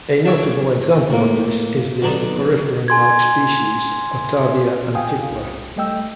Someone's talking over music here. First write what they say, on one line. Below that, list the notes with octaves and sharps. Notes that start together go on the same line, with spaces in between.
A notable example of this is the poriferan-like species "Otavia antiqua".
C#5 D5 E5 F5 A5
A2 A#3
B1 D3 D4 D#4 A5
G#5 C6 G#6
F5 G5 G#5 D#6
C2
G3 A3 D#5 G5 E6